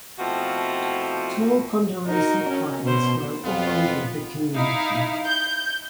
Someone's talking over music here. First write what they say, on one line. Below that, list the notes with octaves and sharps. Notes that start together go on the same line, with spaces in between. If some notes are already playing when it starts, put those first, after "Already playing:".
Tall ponderosa pines grow all over the community.
B2 F3 A3 C4 E4 F#4
D#4 F#4 A#4
C#4
B2 C5
F2 B3 F4
D#4 E4 F5
G6